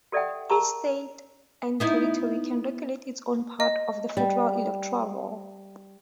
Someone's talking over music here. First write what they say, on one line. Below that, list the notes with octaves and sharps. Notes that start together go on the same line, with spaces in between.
Each state and territory can regulate its own part of the federal electoral roll.
G4 A4 D5 E5 F#5 G5
A#4 A5 A#5 C#6
B3 D#4 E4
D#5
G3